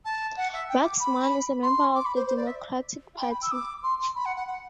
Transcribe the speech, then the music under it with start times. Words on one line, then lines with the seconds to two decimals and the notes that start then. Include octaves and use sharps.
Waxman is a member of the Democratic Party.
0.04 A5
0.37 F#5
0.53 E5
0.68 G5
0.83 D6
1.00 B5
1.62 C6
1.95 D6
2.05 B5
2.15 C5
2.26 C5
2.36 D5
2.46 E5
3.20 G5
3.30 B5
3.42 E6
3.51 D6
3.83 C6
3.99 C6
4.15 B5
4.25 F#5
4.36 F#5
4.47 F#5